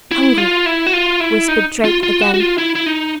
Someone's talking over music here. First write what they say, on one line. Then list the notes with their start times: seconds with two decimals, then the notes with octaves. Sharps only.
"Hungry," whispered Drake again.
0.11 E4
0.38 F4
0.66 E4
0.87 F#4
0.93 F4
1.20 E4
1.48 D#4
1.85 F4
2.03 F4
2.21 F#4
2.34 F#4
2.40 F4
2.58 E4
2.75 E4
2.86 D#4